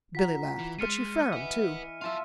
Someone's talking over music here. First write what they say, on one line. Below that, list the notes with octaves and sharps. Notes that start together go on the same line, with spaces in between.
Billy laughed, but she frowned, too.
F4 F#5 A#5 B6
E3
G#3 C6 F6 A6 C7 C#7 D#7
E3 B4 D#5 F#5
F4 E5 F5 A5